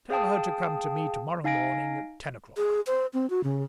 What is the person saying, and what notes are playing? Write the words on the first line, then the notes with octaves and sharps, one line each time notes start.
Tell her to come to me to-morrow morning at ten o'clock.
G#4 F5 G5 A5 D#6
D#4 F5 G#5 A#6 D7
G#4
C5
C4
F#4
C#3